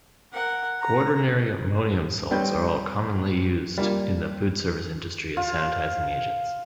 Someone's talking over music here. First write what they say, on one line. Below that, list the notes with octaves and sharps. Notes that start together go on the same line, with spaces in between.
Quaternary ammonium salts are commonly used in the foodservice industry as sanitizing agents.
A#4 F#5
A#5
G3 C4 B4 C#5 G6
G3 A#3 D4 F4
F4